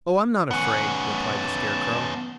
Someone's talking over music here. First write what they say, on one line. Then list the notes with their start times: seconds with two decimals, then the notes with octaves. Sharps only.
"Oh, I'm not afraid," replied the Scarecrow.
0.51 B3 C#4 F#5
1.15 A5